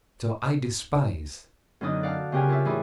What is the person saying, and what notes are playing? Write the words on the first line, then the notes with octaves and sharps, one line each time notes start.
So I despise.
F#2 B2 D3 D#4 D5 D#6
D5 F5 F#5 A5
C#3 C4 G4 A#4 B4 G#5
F4 A#4 C#5 D5 E5
A2 E3 E4 G#4 D5 B5